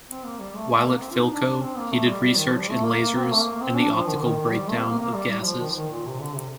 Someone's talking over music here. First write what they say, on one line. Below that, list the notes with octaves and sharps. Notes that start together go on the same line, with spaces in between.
While at Philco, he did research in lasers and the optical breakdown of gases.
C4
A#3
G3
A3
A3
A#3
C4
F4
D#4
D#4
D4
D4
C4
A#3
A3
G3
G3
D#3
F3
G3
A3
A#3
A#3
C4
A#3
A3
A#3
C4
D4
F3
D#3
D3
D#3
D#3
G3
A3
C4
A#3
A#3
G3
G3
F3
D#3
F3
D#3
A#2
C3
D3
C3